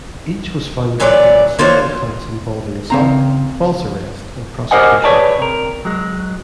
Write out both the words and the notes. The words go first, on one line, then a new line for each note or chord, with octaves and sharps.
Each was found guilty on several counts involving assault, false arrest, and prosecution.
A#2 E3 F#3 B4 D5
A#3 F4 F#4 C5 C#5
C#3 C4 A#5
G4 A#4 C5 D#5 F#5 G#5
G#4 B4 C#5 D5 A5
C3 A#4
F#3 G#3